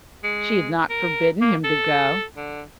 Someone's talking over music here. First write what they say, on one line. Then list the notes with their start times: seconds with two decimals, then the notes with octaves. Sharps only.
She had not forbidden him to go.
0.24 G#3
0.90 A#4
1.41 A#3
1.64 A4
2.37 D3